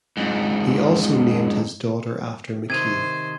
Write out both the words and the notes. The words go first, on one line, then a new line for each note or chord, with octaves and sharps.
He also named his daughter after McKee.
F2 G#2
C3 D#3 C5 G#6 D#7